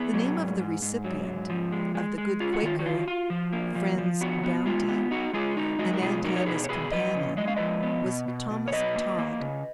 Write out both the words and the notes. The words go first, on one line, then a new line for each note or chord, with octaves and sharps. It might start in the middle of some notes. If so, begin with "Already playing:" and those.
The name of the recipient of the good Quaker friend's bounty and Aunt Hannah's companion, was Thomas Todd.
Already playing: B3 G#4 B4
F#3
G#2
G#2
G#2
F#3
G#2
F3
G#3
G#3
G#3
F4 G#4
F#4
D#3 F4
F#4
F4
F4
F3
A#3
F3
F3
B3 F#4
B3
G#3 F4
B3
D#4 F#4
G#3 F4 G#4
D#4 F#4
G#3 F#4
A#4
B2 F4 G#4
D#4 F#4 A#4
C#5
B2 G#4 B4
C#5
B2 G#4 B4
F2 B4 D#5
C#3
G#3 D#5
F5
F3 B4 D#5
B3
B2
B2
B2
C#5
F#3 B4 D#5
A#3
A#3
C#3